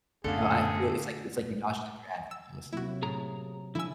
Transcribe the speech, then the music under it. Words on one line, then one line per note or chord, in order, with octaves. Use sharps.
No, I feel it's like it's like you dodged the draft almost.
F#2 D3 A3 B3 G#4 A4 F5
E6
C3 F#3 A#3 E4 F#4
A2 G#4 A#5
D3 F3 E4 G#5 E6